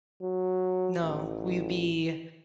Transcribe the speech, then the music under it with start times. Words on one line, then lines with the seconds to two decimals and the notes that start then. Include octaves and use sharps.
No. We'd be,
0.22 F#3
1.01 A1